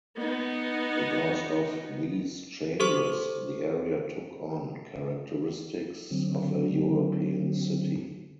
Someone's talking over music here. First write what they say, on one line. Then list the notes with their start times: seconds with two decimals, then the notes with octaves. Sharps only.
Because of these changes the area took on characteristics of a European city.
0.17 B3 D#4
2.80 G4 A4 C5 C#6
6.11 D3 F#3 C4